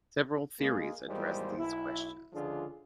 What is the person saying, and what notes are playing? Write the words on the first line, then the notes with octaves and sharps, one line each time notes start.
Several theories address these questions.
G#3 A#3 G#4
G#1 E2 G3 G#3 A#3 C5
B1 E4
C#2 D3 F3 D4 F4 G#4